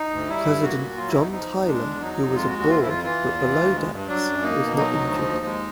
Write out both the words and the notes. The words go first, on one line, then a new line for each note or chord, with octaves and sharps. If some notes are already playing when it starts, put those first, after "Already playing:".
President John Tyler, who was aboard but below decks, was not injured.
Already playing: D#4
D2
G3 E4
G2
A#3 F#4
A#2
F#3 F4
E4
E2
D#4
F3 D#4
E2
G#3 D4
E2
F#3 D#4
F2
G#3 F4
F#4
D#2
F#4
F3 F4
E4
F2 F4
E3 F4
E2
E3
D2
G#3
G2
F#3 D4
F#2
A#3 D#4
B2
F#3 D#4
D2
F3
D#2
G#3